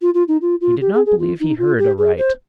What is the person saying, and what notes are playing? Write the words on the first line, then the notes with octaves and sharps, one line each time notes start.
He did not believe he heard aright.
F4
F4
D#4
F4
F4
G4
G#4
G#4
F4
D#4
F4
G4
G#4
C5